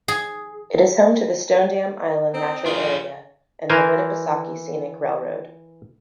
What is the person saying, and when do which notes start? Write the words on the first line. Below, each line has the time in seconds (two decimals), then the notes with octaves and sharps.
It is home to the Stonedam Island Natural Area and the Winnipesaukee Scenic Railroad.
0.08 G#4
2.34 C4 D#4
2.66 D4 F4 G#4
3.70 E3 A#4 C5 G#5